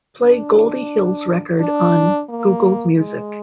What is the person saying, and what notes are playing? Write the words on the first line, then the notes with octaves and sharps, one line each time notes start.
Play Goldie Hill's record on Google Music.
D4
D4
A#3
G#3